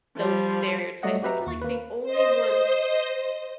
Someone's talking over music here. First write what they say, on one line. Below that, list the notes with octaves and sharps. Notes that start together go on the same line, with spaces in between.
those stereotypes. I feel like the only one
F3 G3
F#3 G3 A3 D5 D#5 F#5
F#4 G4 B4 E5 A#5
D#2 C#6
A#3 B4
C5 D#5